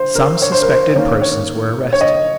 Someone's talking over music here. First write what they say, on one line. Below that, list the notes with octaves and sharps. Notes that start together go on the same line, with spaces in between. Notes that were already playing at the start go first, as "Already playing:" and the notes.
Some suspected persons were arrested.
Already playing: C5
A#4
C#5
C5
A#4
C5
D#3 A#3 C#4
C#5
C#5
D#5